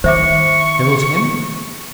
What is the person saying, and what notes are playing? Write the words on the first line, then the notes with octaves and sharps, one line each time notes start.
"Killed him?"
D#3 C5 E5 C#6 D6